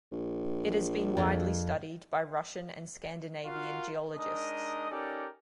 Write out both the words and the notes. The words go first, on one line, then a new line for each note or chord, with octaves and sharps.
It has been widely studied by Russian and Scandinavian geologists.
A#1
F2
F4 F#4 A#4 F5 F#5
G#3 D4 D#4 A#4 D#5 D#6
C#4 D#4 G4 A4 A#4 D5